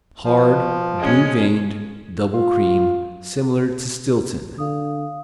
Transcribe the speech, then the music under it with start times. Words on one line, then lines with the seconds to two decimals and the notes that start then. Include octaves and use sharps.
Hard; blue-veined; double cream; similar to Stilton.
0.24 F3
0.98 G#3 C#4
2.33 F4
4.58 D3 F5 D#6